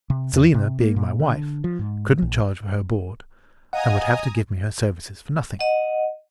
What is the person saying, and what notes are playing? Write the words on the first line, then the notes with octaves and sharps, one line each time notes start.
Selina, being my wife, couldn't charge for her board, and would have to give me her services for nothing.
C3
E2
C3
A#3
A#2
D3
F3
G#2
A#1
D#5 F5 F#5 G#5 A#5 D#6
D#5 F#5